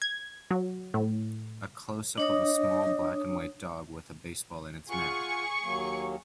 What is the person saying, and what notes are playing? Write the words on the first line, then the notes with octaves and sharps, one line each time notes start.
A closeup of a small black and white dog with a baseball in its mouth.
G#6
F#3
A2
D4 C#5 D#5 D#6
F4 G#4 F#5 C#6
D#2 F#3 A#3